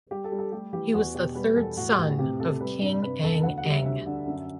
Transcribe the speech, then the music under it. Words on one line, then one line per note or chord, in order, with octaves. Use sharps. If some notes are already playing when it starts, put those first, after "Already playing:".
He was the third son of King Ang Eng.
G3 G4
A4
G3
A4
A3 G4
E3 G4
E2 F#4
B2 G4
G3 B4
E2 A4
A2 F#4
G4
A2
C3 G4
C3 A4
G3 B4
G2
C3 B4
E2 A4
D2 F#5
F#5
G3
E5
D2 E5
D3
F#2